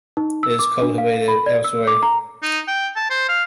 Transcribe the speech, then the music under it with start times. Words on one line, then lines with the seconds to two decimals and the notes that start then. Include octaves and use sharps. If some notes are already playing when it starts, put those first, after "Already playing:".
It is cultivated elsewhere.
0.17 D#4
0.43 E6
0.59 D6
0.82 D4
0.98 F5
1.28 B5
1.46 D5
1.64 E6
1.87 D6
2.03 A#5
2.43 D#4
2.68 G5
2.96 A5
3.10 C5
3.29 F5